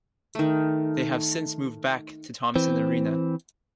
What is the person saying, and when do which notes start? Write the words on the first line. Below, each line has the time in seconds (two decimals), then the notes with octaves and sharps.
They have since moved back to Thompson Arena.
0.35 D#3 A3
2.56 E3 C4